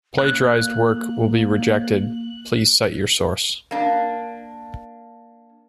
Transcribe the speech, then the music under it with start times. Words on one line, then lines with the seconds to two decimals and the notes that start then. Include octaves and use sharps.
Plagiarized work will be rejected, please cite your source.
0.18 A#3 F#6
3.71 A#3 D4